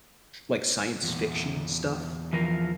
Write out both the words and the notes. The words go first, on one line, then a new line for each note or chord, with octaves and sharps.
like, science fiction stuff?
E2 A#2
E3 F3 A#4